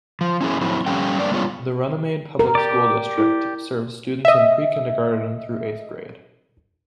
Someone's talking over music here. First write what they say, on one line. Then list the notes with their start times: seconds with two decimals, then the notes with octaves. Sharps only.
The Runnemede Public School District serves students in pre-kindergarten through eighth grade.
0.21 F3
0.41 C#4 E4 G#4
0.61 F3 F#3 A3 C4 E4
0.86 F3 G3 C#4 G4 A4 G5
1.18 G3 A#3 C4 D4 D5
1.31 G3 B3 C#4 F4 G#4 C#5
2.39 A#4 A#5
2.55 G4 D5
3.18 E4
4.25 D#5 E5